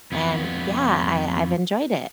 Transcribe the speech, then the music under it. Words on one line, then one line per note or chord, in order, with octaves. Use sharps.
And yeah, I I've enjoyed it.
F2 B3